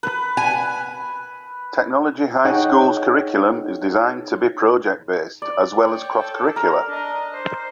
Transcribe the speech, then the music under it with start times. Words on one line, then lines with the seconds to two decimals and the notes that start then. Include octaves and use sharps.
Technology High School's curriculum is designed to be project-based as well as cross-curricular.
0.03 B4
0.37 G#5
2.45 D#4 G#4 C#5 D#5 F#5 G5
5.42 D5
5.84 C#5 G5
6.20 A4
6.56 A#4
6.88 D4 D#5
7.33 C5